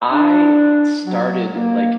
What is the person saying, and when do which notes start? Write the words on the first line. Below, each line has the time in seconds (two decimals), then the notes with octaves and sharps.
I started, like,
0.11 D4
1.05 F#3
1.55 A#3